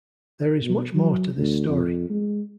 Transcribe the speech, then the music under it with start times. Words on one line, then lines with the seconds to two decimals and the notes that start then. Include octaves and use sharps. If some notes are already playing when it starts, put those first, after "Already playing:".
There is much more to this story.
0.63 B2
0.92 F#3
1.37 D2
1.69 F2
2.10 G#3